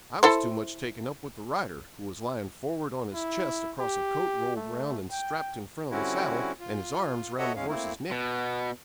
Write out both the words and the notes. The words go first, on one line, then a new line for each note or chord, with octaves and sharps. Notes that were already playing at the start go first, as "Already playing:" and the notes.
I was too much taken up with the rider, who was lying forward on his chest across a coat rolled round and strapped in front of the saddle, and his arms round the horse's neck.
E4 A4 C5
E4
G4
A3
G5
D3 G3 C4 C#4 E4 F#4
F4
F#4 A4 C#5 D#5 E5 F#5
E2 G#3 C#4 F5
A3 A#3 C4 E4
B2